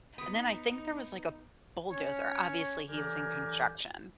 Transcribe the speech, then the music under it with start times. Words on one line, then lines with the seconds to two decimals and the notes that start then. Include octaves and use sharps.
And then I think there was like a bulldozer. Obviously, he was in construction.
0.18 B3 D#4
1.90 C#4 C#5
2.87 D3 E3 F#3 G4 A#4 G#5